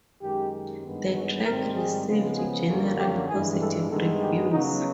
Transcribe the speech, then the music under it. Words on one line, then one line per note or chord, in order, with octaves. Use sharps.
The track received generally positive reviews.
F#2 D#3 G#3 G4
G2 D#3 G#3 B3
F#4
G#2 D#3 G3 C4 A#4
G#4
C#3 F3 G#3 B3
G#4
F#2 D3 F#3 A#3 G#4
G4
G2 E3 G#3 G#4
A4
G2 D#3 G#3 B3 A4
G4
C#3 F#3 B3 D#4